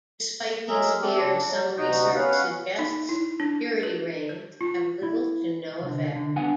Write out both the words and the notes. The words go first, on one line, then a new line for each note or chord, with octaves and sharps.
Despite these fears, some research suggests purity rings have little to no effect.
F#3 G#3 G#4 A#4 E5
A3 C4 D4 G4 A4
C#3 D4
F#3
D2 C3 D#4 F#4 D#5 G6
B3 C#4 B4 F5 F#5
D#4
E4
D4
B4
C5
F4
E4
C2 D3
D3
B3 D4 F5 F#5 G#5